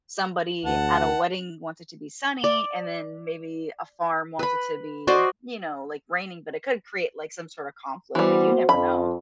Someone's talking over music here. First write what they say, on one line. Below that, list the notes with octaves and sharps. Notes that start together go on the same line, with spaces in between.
somebody at a wedding wants it to be sunny and then maybe a farm wants it to be, you know, like, raining, but it could create, like, some sort of conflict, like, you never know.
D2 F#5 A5
D5
B4 B5
F#4 C5 D5 D#5
E3 G3 B3 F#4 C5
F2 B5